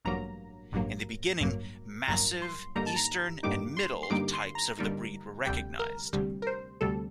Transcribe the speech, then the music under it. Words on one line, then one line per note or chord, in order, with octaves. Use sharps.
In the beginning, "Massive," "Eastern," and "Middle" types of the breed were recognized.
A1 G2 F#3 A#3 A#5
A1 G2 F#3 A#3
A1 G2 F#3 A#3
A1 G2 F#3 A#3 A#5
C6
G2 D3 G3 A#3 D#4 A#5
A5
A#5
G2 D3 G3 A#3 D#4 D6
C6
C6
G2 D3 G3 A#3 D#4 D6
C6
A#5
G2 D3 G3 A#3 D#4
D2 C3 G3 G5
A#4
D2 C3 G3
A#4
C5
D2 C3 G3 A4